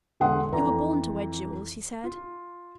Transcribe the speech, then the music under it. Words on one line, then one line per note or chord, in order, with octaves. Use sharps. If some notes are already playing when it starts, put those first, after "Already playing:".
"You were born to wear jewels," he said.
E1 D3 E5 F#5 C6 D#6
F2 E3 A4 D5 A#5
F4